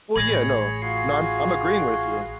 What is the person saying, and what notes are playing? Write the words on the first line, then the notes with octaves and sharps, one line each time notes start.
Well, yeah, no. No, I'm I'm agreeing with you.
A1 G#4 C#5 B5 G#6 A#6
F4 F#4 G#4 C7